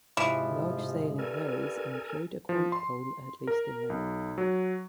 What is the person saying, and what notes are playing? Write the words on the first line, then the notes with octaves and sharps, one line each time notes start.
Large sailing wherries employed a quant pole at least in length.
G#2 C3 E3 F3 G#3
G2 A4 A#4 G#5
F3
C6
A#4
B1
F#3